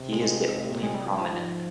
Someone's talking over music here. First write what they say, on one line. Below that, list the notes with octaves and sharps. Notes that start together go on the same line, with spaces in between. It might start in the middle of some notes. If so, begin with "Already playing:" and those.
He is the only prominent.
Already playing: C3
G#3
C3
G#3
G3
F3
G3
G#2 F3